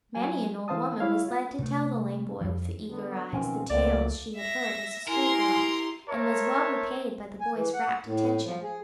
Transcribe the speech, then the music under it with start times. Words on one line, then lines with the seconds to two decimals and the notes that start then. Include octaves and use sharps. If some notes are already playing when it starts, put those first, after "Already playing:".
Many an old woman was led to tell the lame boy with the eager eyes the tales she had heard as a schoolgirl, and was well repaid by the boy's rapt attention.
0.15 F#3 G#5
0.68 E3 C4 C5 F5 A5 D#6
1.00 G3 E4 C#5 E5 F5
1.28 F4
1.59 C3 A3
2.41 F2 F3
2.90 D3 B3
3.33 B2 D#3 F3 C4 C#4
3.70 C#2 A3 A#3 D5
4.35 E5 A#6
5.07 E4 G4 A#4 G#5 C6
6.09 A#4 C5 C#5 E5 A5
7.41 G#5
7.55 E3
7.73 F#5
8.05 A2
8.45 F3
8.63 G#4